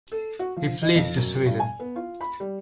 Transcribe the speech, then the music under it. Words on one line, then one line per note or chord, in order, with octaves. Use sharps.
He fled to Sweden.
A4
F#4
F3
D#5
F2
F#2
G2
G#5
B3
F4
B5
G3